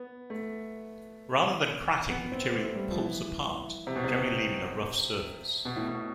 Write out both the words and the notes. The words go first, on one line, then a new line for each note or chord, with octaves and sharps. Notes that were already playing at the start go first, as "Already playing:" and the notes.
Rather than cracking, the material "pulls apart," generally leaving a rough surface.
Already playing: B3
A3
B3
C4
A3
G3
F3
E3
C3
B2
C3
B2
A2
B2